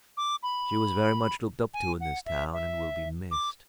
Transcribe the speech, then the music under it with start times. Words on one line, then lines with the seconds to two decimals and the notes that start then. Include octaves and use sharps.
"She was very much looked up to in this town, and will be missed."
0.17 D6
0.43 B5
1.74 G#5
2.00 F#5
2.26 E5
2.53 E5
3.31 D6